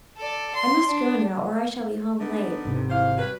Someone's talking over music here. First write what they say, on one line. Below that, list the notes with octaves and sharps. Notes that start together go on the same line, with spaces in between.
I must go now or I shall be home late.
A4 D5
C6
D4
D3 B3 D#4
G#1 C3
E3 C5 F5
F#3 G3 B4